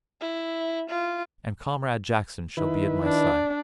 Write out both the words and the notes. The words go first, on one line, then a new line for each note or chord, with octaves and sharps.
And Comrade Jackson shall be at my side.'
E4
F4
D#3 E4 B4
D4